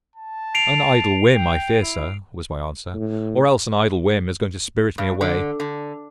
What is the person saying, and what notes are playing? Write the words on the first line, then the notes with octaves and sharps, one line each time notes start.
'An idle whim, I fear, sir,' was my answer; 'or else an idle whim is going to spirit me away.
A5
C7 D7 F7
G5
E4
A2
G2
D3
D3